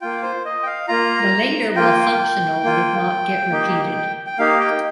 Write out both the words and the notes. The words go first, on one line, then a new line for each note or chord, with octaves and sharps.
The later, while functional, did not get repeated.
A#3 F4 G5
C5
D#5
G5
F5
A#3 F4 A#5
A#3 F4 G5
A#3 F4
A#3 D#4 G4
G5
A#3 D#4 G4 F5
G5